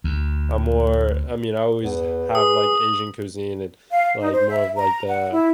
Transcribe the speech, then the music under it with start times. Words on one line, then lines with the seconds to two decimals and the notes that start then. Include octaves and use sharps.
I'm more I mean, I always have, like, Asian cuisine and, like, more of, like, the
0.04 D2
1.83 E2 B4
2.35 G#4 D#6
3.91 F5
4.20 D#4
4.33 C5
4.49 E5
4.77 A#5
5.09 F#5
5.32 E4